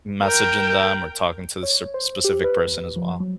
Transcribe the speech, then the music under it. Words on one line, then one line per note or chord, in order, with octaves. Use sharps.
messaging them or talking to sir specific person as well.
A#4 G5
C#5
C5
G4
B4
E2
F3
F#3